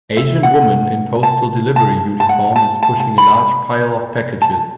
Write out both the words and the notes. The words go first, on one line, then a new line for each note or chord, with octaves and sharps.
Asian woman in postal delivery uniform is pushing a large pile of packages.
E5
F#5
A5
A5
A5
F#5
A5
A5
A5
B5
A5